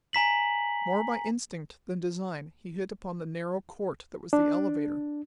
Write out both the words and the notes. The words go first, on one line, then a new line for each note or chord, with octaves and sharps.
More by instinct than design he hit upon the narrow court that was the elevator.
G#5 A#5 B6 F#7
D4